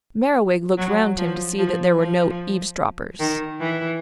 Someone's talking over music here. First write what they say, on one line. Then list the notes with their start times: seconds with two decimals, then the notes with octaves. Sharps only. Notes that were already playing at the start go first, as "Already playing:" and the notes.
Merriwig looked round him to see that there were no eavesdroppers.
0.77 F#3
1.18 F3
1.58 F3
1.98 F3
3.20 D#3
3.60 E3